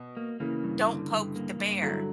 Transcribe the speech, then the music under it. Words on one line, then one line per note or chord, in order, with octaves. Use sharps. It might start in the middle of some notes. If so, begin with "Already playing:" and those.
don't poke the bear
Already playing: B2
A#3
C#3 E3 A#3
G2
D3
G2
A#3
G2
D3 F#3 E4